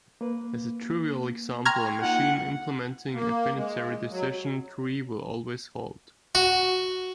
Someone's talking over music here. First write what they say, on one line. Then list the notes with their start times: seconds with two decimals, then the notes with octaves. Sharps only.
As a trivial example, a machine implementing a finitary decision tree will always halt.
0.21 A#3 B4
1.65 G5 A#5 C6 C#6 F6 G#6
2.02 A#3 D#4 F4 F#5
3.14 A#3
3.57 G#3
4.11 F#3
6.35 F#4